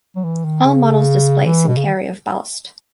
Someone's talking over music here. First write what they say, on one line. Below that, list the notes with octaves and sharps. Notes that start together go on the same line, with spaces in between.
All models displace and carry of ballast.
F#3
E3
D#3
C#3
E3
B2
C#3
D#3